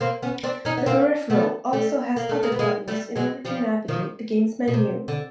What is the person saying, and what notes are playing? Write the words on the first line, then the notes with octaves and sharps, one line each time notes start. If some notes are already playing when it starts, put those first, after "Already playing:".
The peripheral also has other buttons in order to navigate the game's menus.
A#3 C4
B3 C#4
C4 D4
C#4 D#4
B3
A#3 C4
A3 B3
G3 A3
A#3
A3
G#3 A#3
B3
G#3 A#3
G3 A3
F#3 G#3
F3 G3
D#3 F3
B2
C3
D3